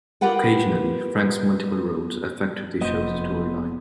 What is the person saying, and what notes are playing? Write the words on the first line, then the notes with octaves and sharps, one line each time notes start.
Occasionally, Frank's multiple roles affected the show's storyline.
F4 G4 A#4 B4 F#5 G5
F1 A#3 B3 C5 D#5